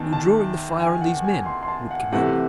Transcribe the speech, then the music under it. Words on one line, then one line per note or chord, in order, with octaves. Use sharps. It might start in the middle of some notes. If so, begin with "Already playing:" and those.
"You're drawing the fire on these men," Wood commanded.
Already playing: E2 D#3 A5
A5
G#5
F#5
G#5
C6
C6
A5
F#5
C3 E3 A3 F#5